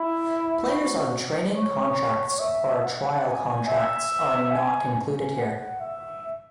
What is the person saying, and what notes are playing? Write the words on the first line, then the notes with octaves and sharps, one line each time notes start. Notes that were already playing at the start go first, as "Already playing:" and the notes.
Players on training contracts or trial contracts are not included here.
Already playing: E4
F#4
C#5
E5
F#5
G#5
E5
G#5
G#5
F#5
E5